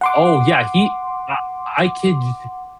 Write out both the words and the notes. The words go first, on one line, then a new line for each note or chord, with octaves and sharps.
Oh yeah, he I I could d
F#5 C6 D6